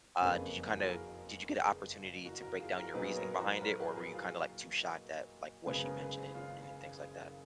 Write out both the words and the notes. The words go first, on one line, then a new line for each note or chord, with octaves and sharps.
Uh, did you kinda did you get an opportunity to break down your reasoning behind it, or were you kinda, like, too shocked at, like, what she mentioned and and then things like that?
F#1 F2 F3 A#3 C#4 G#4 B4
F#4
G#4
F#4 A#4
G#4 B4
F#4 A#4
F#4 A#4
F4 G#4
F#4 A#4
A#2 F#3 B3 D#4 G#4 B4
A#4 C#5
F#4 A#4
B4
A#4 C#5
G#4 B4
A#4
G#4 B4
F4 G#4
F#1 F#2 C#3 G#3 B3 G#4 B4
A#4 C#5
G#4 B4
G#4 B4
C#4 F4